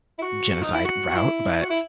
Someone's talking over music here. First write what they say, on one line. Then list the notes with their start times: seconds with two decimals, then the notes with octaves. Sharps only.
genocide route, but
0.18 E4
0.22 F#4
0.62 D#4
0.74 E4
0.84 F#4
1.11 F#4
1.16 E4
1.62 F#4
1.70 E4